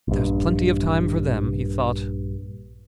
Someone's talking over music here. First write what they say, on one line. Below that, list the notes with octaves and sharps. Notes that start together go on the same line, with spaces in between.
"There's plenty of time for them," he thought.
A#1 G2